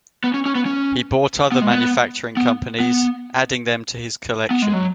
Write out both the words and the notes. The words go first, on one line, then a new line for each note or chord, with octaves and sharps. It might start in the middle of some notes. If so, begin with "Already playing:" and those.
He bought other manufacturing companies, adding them to his collection.
B3
C#4
C#4
B3
C#4
B3
G#3
B3
B3
B3
B3
G#3
F#3